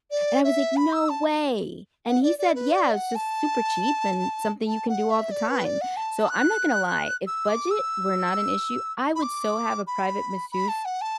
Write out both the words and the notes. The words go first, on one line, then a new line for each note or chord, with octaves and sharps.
and I was like, "No way!" And he said, "Yeah, it's just super cheap and something you can do all the time." So I'm not gonna lie, if budget were not an issue, I would so have a private masseuse,
D5
E5
B5
E6
A5
F#5
D5
D5
B4
D5
F#5
A5
A5
F#5
E5
D5
B4
D5
F#5
A5
F#6
E6
D6
E6
B5
D6
B5
B5
A5
F#5
A5